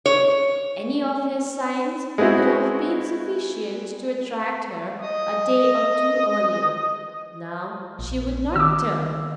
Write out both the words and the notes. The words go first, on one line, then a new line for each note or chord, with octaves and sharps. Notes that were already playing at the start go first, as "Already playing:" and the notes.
Any of his signs would have been sufficient to attract her a day or two earlier; now she would not turn.
C#5
G#3 B3 C4 E4 F#4
D#5 D#6
A#1
D#3 D6 E6